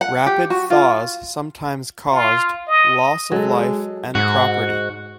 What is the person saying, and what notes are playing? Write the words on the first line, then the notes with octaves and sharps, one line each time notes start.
Rapid thaws sometimes caused loss of life and property.
F#5
G4
F#4
F4
F4
D#5
F#3 G#3 A4
G#2 F#4